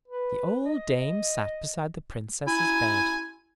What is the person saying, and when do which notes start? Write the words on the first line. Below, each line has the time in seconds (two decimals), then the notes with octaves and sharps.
The old dame sat beside the Princess's bed.
0.08 B4
0.66 D#5
2.47 E4 G#5